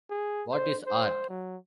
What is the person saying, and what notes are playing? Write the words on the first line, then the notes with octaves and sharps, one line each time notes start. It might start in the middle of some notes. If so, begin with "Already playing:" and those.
What Is Art?
G#4
C5
C5
F#3